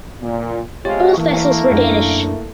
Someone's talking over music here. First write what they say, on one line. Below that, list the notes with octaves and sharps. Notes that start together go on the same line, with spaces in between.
Both vessels were Danish.
A#2
C3 G#3 F4 G4 C#5 A6
E3 A3 A#3 E4
F#2 D4